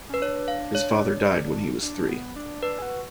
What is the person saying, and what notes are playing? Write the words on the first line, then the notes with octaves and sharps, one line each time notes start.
His father died when he was three.
C#4 B4
D4 C#5
F5
C#5
D4
B3
D4
D4 B4
G#4
F#4